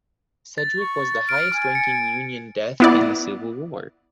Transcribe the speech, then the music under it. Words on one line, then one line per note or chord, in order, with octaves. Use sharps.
Sedgwick was the highest-ranking Union death in the Civil War.
A6
C#6
F6 D7
G#5
C#7
B3 E4 D5